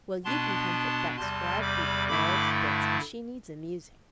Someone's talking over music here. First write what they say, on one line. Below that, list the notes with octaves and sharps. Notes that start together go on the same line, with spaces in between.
'Well, you can comfort Bess, for I've beaten her all to bits and she needs amusing.
B2 B3 D4 A5 C6
E2 C3 G3 A5 C6
B5 D6
G2 D3 A3 E4 B5 D6